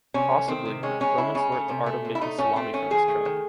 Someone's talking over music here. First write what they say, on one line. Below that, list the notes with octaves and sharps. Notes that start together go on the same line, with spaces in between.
Possibly, Romans learnt the art of making salami from this tribe.
C3 C#4
A3
D#3 C4
C3
G#3 C#4
C#3 C#4
G#3 E4
C#3 C#4
A3
C3
A3
C3
E4
A3 D#4
A3 C#4
A3 C4
D#3 C#4
D#3 G#4
A3
D#3